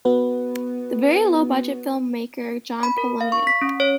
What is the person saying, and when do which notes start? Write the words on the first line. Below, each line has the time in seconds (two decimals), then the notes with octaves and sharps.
The very-low-budget film maker John Polonia.
0.05 B3 F#4 B4
2.83 B5
2.98 A#4
3.21 F5
3.32 C#6
3.47 B6
3.61 C#4
3.80 C#5